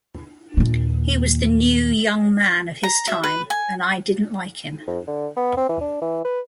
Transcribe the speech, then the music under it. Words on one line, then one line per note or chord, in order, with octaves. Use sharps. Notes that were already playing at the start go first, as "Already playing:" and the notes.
He was the New Young Man of his time and I didn't like him.
D#2 A#2
A#5
E5
B4
G#5
F2
D3
B3
C4
E3
D4
E3
B4